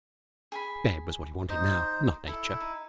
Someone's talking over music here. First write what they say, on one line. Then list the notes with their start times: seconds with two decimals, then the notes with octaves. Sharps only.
Bed was what he wanted now, not nature.
0.52 G#4 G#5 B5
1.50 D#4 C5 D#5
2.27 E4 A4
2.61 D#4